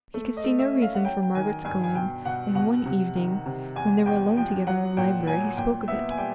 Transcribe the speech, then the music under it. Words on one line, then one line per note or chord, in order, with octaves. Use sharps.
He could see no reason for Margaret's going, and one evening when they were alone together in the library he spoke of it.
A3
D#5
A3
E5
C#4
F5
F#5
F#3 G5
G5
D#3 G#5
G2 G#5
G#5
B2 G5
B2 F#5
B2 F#5
C3
D#3
C3
E2 G#5
E2 G5
F3 G5
F#3 F#5
A#2 G5
F#3 G#5
A#2 G5
B3 E5
G#5
G3 G5